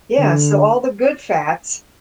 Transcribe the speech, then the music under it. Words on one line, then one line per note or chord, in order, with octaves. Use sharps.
Yeah. So, all the good fats
D3